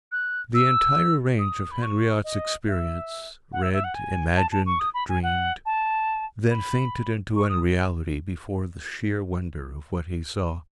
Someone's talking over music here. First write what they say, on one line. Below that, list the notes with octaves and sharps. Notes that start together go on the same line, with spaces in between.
The entire range of Henriot's experience, read, imagined, dreamed, then fainted into unreality before the sheer wonder of what he saw.
F#6
E6
D#6
B5
C#6
D#5
E5
F#5
E5
E5
F#5
G#5
A5
A5
C#6
D#6
B5
G#5
F#5
A5
B5
C#6
D#6